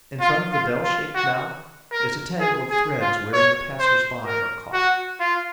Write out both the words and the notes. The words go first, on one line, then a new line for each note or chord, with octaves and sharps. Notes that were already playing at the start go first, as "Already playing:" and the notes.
In front of the bell-shaped mouth is a tangle of threads wherein the passers-by are caught.
F4
F4
F4
F#4
A#4
G#4
G#4
F4
C#5
C5
A#4
F#4
F4